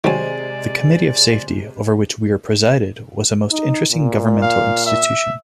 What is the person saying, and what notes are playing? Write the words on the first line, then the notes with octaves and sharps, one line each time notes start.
The Committee of Safety, over which Weare presided, was a most interesting governmental institution.
C3 D#3 F#3 G#3 G#4 C5 D5 G#5
D#4
A#2
F5
E5